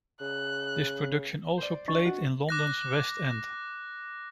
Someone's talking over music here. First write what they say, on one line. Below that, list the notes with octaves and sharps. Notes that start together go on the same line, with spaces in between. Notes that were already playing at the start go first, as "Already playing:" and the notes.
This production also played in London's West End.
C#3 F#6
C5 D5
D4 D#5 C#6
F#4 F#5
D6 F#6 A#6